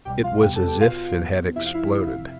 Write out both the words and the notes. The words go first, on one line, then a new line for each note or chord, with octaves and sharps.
It was as if it had exploded.
C2 B2 G3 G4 G5
F4 F5
F2 C3 G3 B3 G4 G5
A4 A5
G4 G5
B2 B3 F4 F5
G2 F3 B3
F2 C3 F3 E4 E5
F5
E4 E5